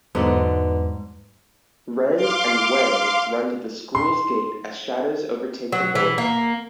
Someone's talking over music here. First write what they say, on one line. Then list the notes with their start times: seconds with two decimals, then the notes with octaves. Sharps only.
Ray and Wei run to the school’s gate as shadows overtake the building.
0.15 E2 G#2 D3 F#3 B3 D#4 D6
2.17 F5 C6 D6
3.95 C6
5.72 F#3
5.95 E3
6.18 A#3